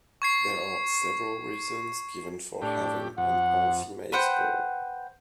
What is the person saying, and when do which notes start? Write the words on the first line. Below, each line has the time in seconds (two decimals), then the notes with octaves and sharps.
There are several reasons given for having an all-female school.
0.22 C#6 G#6 C7
2.62 A2 D4 G4
3.18 F2 F#5
4.12 B4 C5 F#5 G5